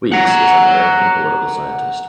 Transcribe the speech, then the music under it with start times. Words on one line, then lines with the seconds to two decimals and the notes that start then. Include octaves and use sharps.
Weeks is an American political scientist.
0.12 F#5 A#5